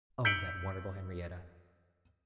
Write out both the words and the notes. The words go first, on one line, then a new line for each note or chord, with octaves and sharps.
Oh, that wonderful Henriette!
E6 G6 B6 C#7 D7 F#7